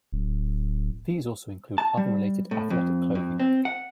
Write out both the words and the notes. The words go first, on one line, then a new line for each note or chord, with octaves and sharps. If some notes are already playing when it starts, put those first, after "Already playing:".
These also include other related athletic clothing.
D1
A5
G3
A2
F2
F2
C4
F#5